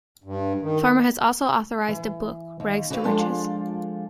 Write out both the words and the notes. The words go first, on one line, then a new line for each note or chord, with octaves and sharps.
Farmer has also authored a book, Rags to Riches.
G2
D#3
E3
D#2
F#4 G4 B4 C#5 D#5 F5
F3 G#3 D4 F4 G4 A4